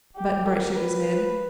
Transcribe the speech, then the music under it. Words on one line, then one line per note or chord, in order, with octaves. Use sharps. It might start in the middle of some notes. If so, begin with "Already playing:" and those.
Button-Bright shook his head.
G4
A#4
B4